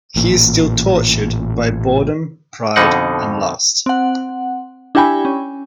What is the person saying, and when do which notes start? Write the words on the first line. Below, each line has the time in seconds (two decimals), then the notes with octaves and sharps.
He is still tortured by boredom, pride, and lust.
0.16 A1 A#2
2.76 F2 B2 D3 D#4 F#5
3.86 C4 F#5
4.95 D4 E4 G4 G5 G#5 B5
5.25 C#4